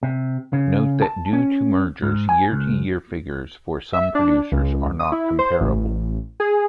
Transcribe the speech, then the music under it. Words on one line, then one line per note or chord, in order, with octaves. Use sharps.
Note that due to mergers, year-to-year figures for some producers are not comparable.
C3
C#3
A5
C#4
G#2
G#5
C#2
E5
D4
C#2
D#6
E4
C5
A1
G#4